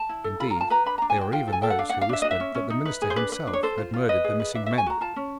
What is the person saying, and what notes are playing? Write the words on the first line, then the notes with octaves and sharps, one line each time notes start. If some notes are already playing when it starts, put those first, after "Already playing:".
Indeed, there were even those who whispered that the minister himself had murdered the missing men!
Already playing: A5
E4
A4
F4 B5
A#5
F4
A5
B4 A#5
D4 B5
D4 A#5
G#5
F#4 G5
F4 G5
A4 G#5
A4 G5
F#5
D4 F5
D4 F#5
F5
D4 E5
F#4 D#5
E5
C#4
C#4
D#4
B4
G#4
C5
D4 B4
B4
D4
C#5
A4 C5
F4
F4
B4 D#5
G#4
B4
D4 E5
F#4 E5
G#5
F#4 A#5
F4 A5
C#4